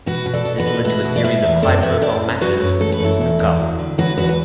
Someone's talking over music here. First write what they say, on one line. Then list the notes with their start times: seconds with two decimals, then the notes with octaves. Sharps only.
This led to a series of high-profile matches with Snuka.
0.06 B2 F#4 B4
0.26 B2
0.33 A4 D5
0.45 B2
0.58 F#4 B4
0.66 B2
0.85 A3 F#4 B4
1.04 B2
1.16 D5
1.24 B2 B4 E5
1.43 E2
1.63 F#2 A4 D5
1.82 F#2 B4 E5
2.02 F#2 A4 D5
2.23 F#2
2.41 F#2 F#4 B4
2.61 F#2
2.80 A3 A4
2.92 B4
3.00 F#2 E4 A4
3.20 E2
3.39 E2
3.60 F#3
3.79 D3
3.98 F#3 F#4 B4
4.18 E2 F#4 B4
4.29 B4